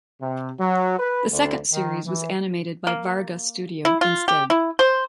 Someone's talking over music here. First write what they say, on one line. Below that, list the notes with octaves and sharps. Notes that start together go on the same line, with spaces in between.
The second series was animated by Varga Studio instead.
C3
F#3
B4
D2
D#3
E3
A#3
E4
F4
G4
E4
C5